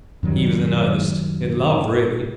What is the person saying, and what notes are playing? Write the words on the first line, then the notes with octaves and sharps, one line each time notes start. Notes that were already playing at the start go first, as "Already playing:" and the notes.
He was in earnest: in love, really.
F#2 D#3 F#3 G3